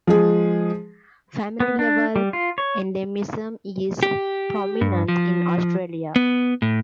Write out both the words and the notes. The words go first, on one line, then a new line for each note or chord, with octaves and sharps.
Family-level endemism is prominent in Australia.
F3 G#3 G#4
B3
D4
G3
F4
C#5
G4
G2
F3
B3
A2